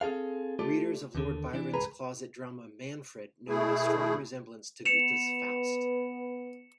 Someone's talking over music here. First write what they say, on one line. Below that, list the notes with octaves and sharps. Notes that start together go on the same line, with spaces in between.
Readers of Lord Byron's closet drama "Manfred" noted a strong resemblance to Goethe's "Faust".
C4 G#4 A4 F5
A3 F4 G4 A4 D5
D#2 D3
E3 D4
C#2 G#2 G#4 B4 A#5
B2 A3 E4 G#4
B3 C#7 E7 F7